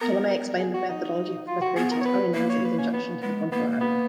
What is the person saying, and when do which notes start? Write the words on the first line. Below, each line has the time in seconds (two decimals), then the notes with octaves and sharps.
Tolomei explained the methodology for creating Italian names in his introduction to the "Prontuario".
0.01 B3 A#4
0.31 A#4
0.60 G#4
0.74 F#4
0.89 D#4
1.47 F4
1.62 F#4
1.76 B3 G#4
1.92 A#4
2.01 C#5
2.05 B4
2.34 A#3 B4
2.50 C#5
2.65 B4
2.79 C#4
2.93 B3
3.23 G#3 B3
3.52 A#3 B3
3.81 B3